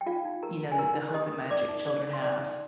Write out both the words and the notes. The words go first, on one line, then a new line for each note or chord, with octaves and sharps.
you know, the the hope and magic children have?
G5
D#4 F4 F5
D#4
G4 A#4 A#5
A#4
G#5
D#4 A#4 A#5
D#4
G4 D#5 D#6
A#4
D#4 D5 D6
D#4
G4 D5 D6
A#4
C6
D#4 D5 D6
D#4